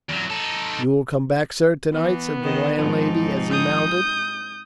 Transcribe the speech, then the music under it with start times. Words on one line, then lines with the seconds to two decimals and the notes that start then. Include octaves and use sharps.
"You will come back, sir, to-night?" said the landlady, as he mounted.
0.09 E2 F#3
0.30 D#4 A4
1.93 E3 B3
2.41 D#3 D#5
2.78 G#2 F3 C4 D#4
3.51 D#6 G6